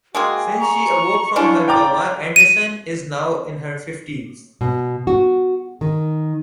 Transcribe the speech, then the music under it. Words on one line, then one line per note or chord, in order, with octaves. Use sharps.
Since she awoke from her coma, Anderson is now in her fifties.
G#3 A#3 F#4 G#4 G5
A#5 C#6
C#4 D4 E4 F4 C#6
D5 G5 A#5 D6
D#7
B2
F#4
D#3